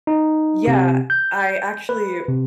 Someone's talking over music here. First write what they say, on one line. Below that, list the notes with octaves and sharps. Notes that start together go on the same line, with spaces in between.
Yeah, I actually,
D#4
C3
G6
B4
C3